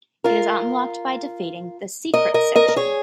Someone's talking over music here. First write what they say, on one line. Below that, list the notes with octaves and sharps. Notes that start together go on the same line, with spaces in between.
It is unlocked by defeating the 'Secrets' section.
F4 A#4
A#4 D#5
A#4 D#5
A#4 D#5
A#4
G#4 C#5